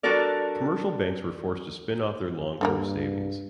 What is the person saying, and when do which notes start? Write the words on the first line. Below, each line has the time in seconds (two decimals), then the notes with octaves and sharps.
Commercial banks were forced to spin off their long-term savings.
0.03 G3 D4 F#4 A4 A#4 D5
2.61 G2 D3 F#3 A#3